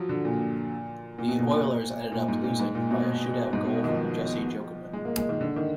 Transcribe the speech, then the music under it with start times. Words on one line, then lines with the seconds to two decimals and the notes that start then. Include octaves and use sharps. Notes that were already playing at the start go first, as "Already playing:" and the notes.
The Oilers ended up losing by a shootout goal from Jussi Jokinen.
Already playing: F3 F#3
0.09 D3
0.25 A#2
1.19 A#2
1.28 B2
1.39 A#2
2.12 A#2
2.28 G#2
2.44 A#2
2.59 G#2
2.75 A#2
2.91 B2
3.53 G#2
3.65 B2
3.84 D#3
3.88 F3
4.93 G#3
5.05 A#3
5.17 G#3
5.29 D#3
5.41 D3
5.56 D#3